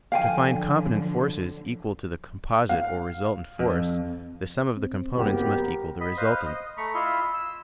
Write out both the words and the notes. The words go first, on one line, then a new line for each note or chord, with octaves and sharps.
To find component forces equal to the composite or resultant force, the sum of the components must equal the resultant.
D3 F3 F#3 F5 G5 G#5
F5
F2
C4
F#1 B3 G4 A#4
D#5 B5
B4 C5 D#5 F5
D#5
A3 A#5 B5 C#6
E4 F4 D#5 E5 B5 C6
E6